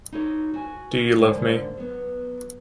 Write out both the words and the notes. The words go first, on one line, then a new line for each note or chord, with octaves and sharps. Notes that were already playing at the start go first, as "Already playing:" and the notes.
Do you love me?
D#4 E4 F#4 A4 C#5
F#4 G#5
G#2 D3 A#3 D4 G#4 C5
F#3 B3